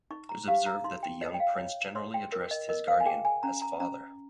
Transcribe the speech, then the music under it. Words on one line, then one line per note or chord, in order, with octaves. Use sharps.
It was observed that the young prince generally addressed his guardian as "Father".
D#4 C#6
A#5
G4 F5
A#5
D#4 C6
G5
C#5 D#5
G5
F5
C#5
C#5 C6
G5
A#4
D#5
A#4 D#5
F5
G#5
G#4 G5
G#5
C#4 A#5
A#5
C#4 A#5